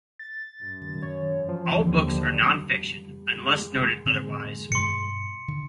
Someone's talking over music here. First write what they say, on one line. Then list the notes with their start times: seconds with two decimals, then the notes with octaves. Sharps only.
All books are nonfiction, unless noted otherwise.
0.19 A6
0.63 F#2
1.02 C#5
1.49 F3
1.80 D#2 D3
4.05 A2 D3 C4
4.72 G2 B2 C6 C#7
5.48 D3